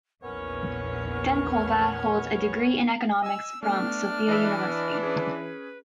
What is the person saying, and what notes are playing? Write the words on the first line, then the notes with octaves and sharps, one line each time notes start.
Denkova holds a degree in economics from Sofia University.
A#1 E2 B3 C#4 A#4 C#5
D#5 G#5 E6
A3 B3 D4 F6
E3 D#5 E5 E6
C#4 G#4 B4